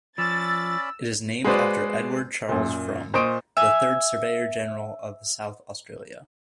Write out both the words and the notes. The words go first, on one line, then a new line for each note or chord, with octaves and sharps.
It is named after Edward Charles Frome, the third surveyor-general of South Australia.
F3 C#4 D5 B5 E6 A6
G#3 F#4 G#4 B4 C5 D5
F#2 A#2
A#2 C5 D#5 C#6 D#6 D7
E5 G#5